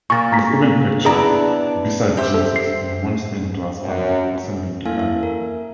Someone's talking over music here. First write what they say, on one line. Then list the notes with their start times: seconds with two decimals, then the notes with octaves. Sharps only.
He is even pictured beside Jesus in one stained-glass panel ascending to heaven.
0.10 A#2 A#3 C#6 A6
0.32 A#5 A#6 B6
1.05 B3 D4 E4 G#4 A#5
2.17 G4 C5 E5
2.34 A4
2.56 C7
3.83 F#2
4.86 A#3 E4 A4 F5 G#5
4.99 E5
5.23 A#4